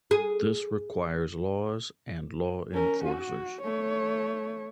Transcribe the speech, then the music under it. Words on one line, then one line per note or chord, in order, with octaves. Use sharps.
This requires laws and law enforcers.
G#4
C#4 A#4
F#4
A3 C#5